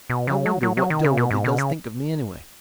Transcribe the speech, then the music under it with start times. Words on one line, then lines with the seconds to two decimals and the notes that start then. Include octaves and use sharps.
I wonder what Dilworthy does think of me anyway?
0.10 B2
0.27 C#3
0.46 F#3
0.63 F#3
0.77 F#3
0.90 D#3
1.04 C#3
1.17 B2
1.31 G#2
1.44 B2
1.58 C#3